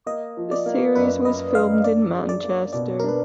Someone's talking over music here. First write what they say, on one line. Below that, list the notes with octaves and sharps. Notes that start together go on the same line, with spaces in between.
The series was filmed in Manchester.
A#3 D#5
F3
D5
A#3
F#2 B4
F#2 D#5
F#2 F5
D4 D5
G#4
D5
A#3
B2 D5
D4 A#4
B4